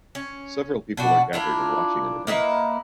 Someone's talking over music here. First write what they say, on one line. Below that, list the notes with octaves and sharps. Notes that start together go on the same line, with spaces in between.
Several people are gathered and watching an event.
C#4
B2 D4 F#4
D4 E4 F4 A#4
A#3 D#4 E4 B4